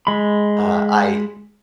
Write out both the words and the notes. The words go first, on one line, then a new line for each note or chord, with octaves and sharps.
uh, I
G#3 B5